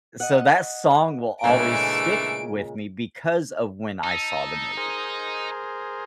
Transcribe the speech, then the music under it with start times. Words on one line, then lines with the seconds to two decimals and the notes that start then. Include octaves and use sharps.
so that song will always stick with me because of when I saw the movie.
0.20 D#5 F#5
1.44 A#2 C#3 E3 G#3 A3 D4 D7
4.04 D#4 A5 E6
4.77 G#4 A#4 C5